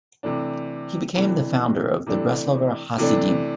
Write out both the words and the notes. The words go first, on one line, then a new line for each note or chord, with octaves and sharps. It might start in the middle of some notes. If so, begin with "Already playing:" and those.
He became the founder of the Breslover Hasidim.
C3 E3 A3 D4
C3 E3 A3 D4
C3 E3 A3 D4
C3 E3 A3 D4